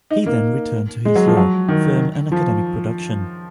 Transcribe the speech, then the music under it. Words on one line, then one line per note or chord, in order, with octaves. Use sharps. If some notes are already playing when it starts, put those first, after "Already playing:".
He then returned to his law firm and academic production.
D#4
A#3
G#3
F#3
F3
F#3
D#3
F3